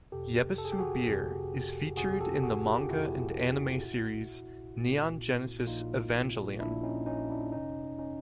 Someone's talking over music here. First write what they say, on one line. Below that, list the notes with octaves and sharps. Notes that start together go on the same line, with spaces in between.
Yebisu Beer is featured in the manga and anime series "Neon Genesis Evangelion".
G1 F2 C3 G4 A4
A4
G#4
G4
F#4 G#4
G1 F2 C3
G1 F2 C3 F#4 G#4
G4 A4
F#4 G#4
F4 G4
G1 F2 C3 E4 F#4
A#1 A#2
A#1 A#2
A#1 A#2 D#4 F4
A#1 A#2 D4 E4
C#4 D#4
C#4 D#4
D4 E4
G1 F2 C3 C#4 D#4
C#4 D#4